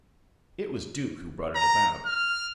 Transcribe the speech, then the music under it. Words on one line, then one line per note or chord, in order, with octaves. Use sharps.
It was Duke who brought it about.
A#5
F6